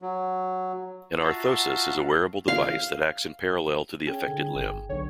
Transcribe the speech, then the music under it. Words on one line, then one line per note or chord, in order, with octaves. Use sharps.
An orthosis is a wearable device that acts in parallel to the affected limb.
F#3
F4 F#4 E5 F5 A5 A#5
F5
C#4 G#4 G5 G#5
D3
G1
B1 D3 C#5